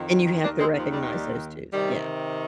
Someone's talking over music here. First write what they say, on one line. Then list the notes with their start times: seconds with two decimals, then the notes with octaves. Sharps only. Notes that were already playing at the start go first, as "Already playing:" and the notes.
and you have to recognize those too. Yeah,
Already playing: F2 D#3
0.43 D#2 D#3 A#3 D4
0.59 G#3 C4
0.75 F3
0.91 G3
1.08 G3
1.72 C3 D#3 G3